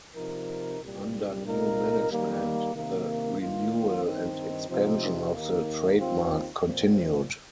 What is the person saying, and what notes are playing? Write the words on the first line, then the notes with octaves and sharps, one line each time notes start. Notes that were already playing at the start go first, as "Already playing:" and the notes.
Under new management the renewal and expansion of the trademark continued.
C3 F3 D#4 A#4
C2 A#2 G3
C2 A#2 A#3 D#4 A#4
D#3 G3 A#3
C3 D#3 A#3
D#3 A#3 F4
G2 D#3 C4 D#4
C3 F3 C4 D#4 C5
D#2 D#3 A#3
D#2 D#3 C4 F4
A#2 F3 C4